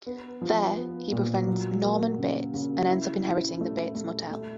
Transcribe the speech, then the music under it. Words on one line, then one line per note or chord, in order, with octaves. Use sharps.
There he befriends Norman Bates and ends up inheriting the Bates Motel.
B3
F3
B3
A#2
F#3
A#3
C#3
C#3
E4
E4
A3
A3
A3